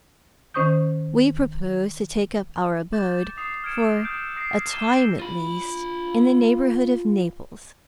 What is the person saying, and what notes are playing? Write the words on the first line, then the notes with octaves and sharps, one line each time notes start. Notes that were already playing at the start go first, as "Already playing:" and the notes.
We propose to take up our abode, for a time at least, in the neighborhood of Naples.
D#3 C#4 C5 C#6 D#6 G6
D6 G6 A6
D#6 C7
F6 G#6 C#7 D7 E7
D#6 E6 G6 D7
D#6 A#6 C7 D7
D6 D#7 E7 G7
F4 B5